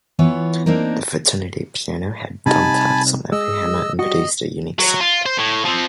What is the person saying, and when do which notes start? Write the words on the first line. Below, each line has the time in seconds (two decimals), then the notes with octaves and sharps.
The fraternity piano had thumbtacks on every hammer and produced a unique sound.
0.19 E3 B3 F4 C#5
0.66 A#3 C4 D4 D#4 A#4
2.46 C3 G3 D#4 G#5 A5 B5
3.32 G#3 D#5 E6
3.99 G3 F#4 D#5
4.79 F#3
5.00 F4
5.26 C5
5.38 A2
5.65 F3 C4